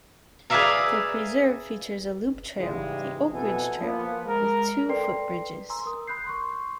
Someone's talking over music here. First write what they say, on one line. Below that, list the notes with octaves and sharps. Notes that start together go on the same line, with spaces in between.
The preserve features a loop trail, the Oak Ridge Trail, with two footbridges.
G#4 B4 D5 E5 F5 A#5
G#2 C#3 E3 G3 G#3
F2 B2 B3 E4 A4 G#5
F3 A#3 B3
G#3 A#4
A4 B4 D5 G5 C6 C7
G#5 A#5 C6 E6
A#4 D#6
B5 F#6 G6 C7
C6 C#6